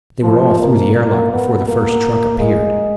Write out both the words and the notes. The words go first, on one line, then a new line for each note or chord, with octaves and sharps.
They were all through the air lock before the first truck appeared.
F3
A#3
A#3
B3
A#3
G#3